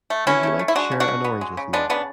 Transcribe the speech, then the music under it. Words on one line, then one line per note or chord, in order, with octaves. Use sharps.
Would you like to share an orange with me?
A3
B2 C#4 E4
A3
A3
E4
G#3 D4 F#4
C#3
D4 F#4
C#3
B3
G#3
C#3
G#3 B3 D4
C#3 B3 D4